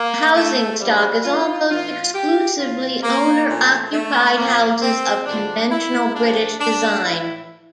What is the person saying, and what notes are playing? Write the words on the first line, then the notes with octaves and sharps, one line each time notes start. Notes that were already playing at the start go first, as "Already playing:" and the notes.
The housing stock is almost exclusively owner-occupied houses of conventional British design.
Already playing: A#3
A3
G2 F3 G3
F4
A2 E3 F4
G4
A2 E3 F4
A#3
A#2 F3 A3
A3
A#2 F3 A#3
C4
G2 D3 F3 D4
E4
A#2 D4
F3
D4
A2 E3 E4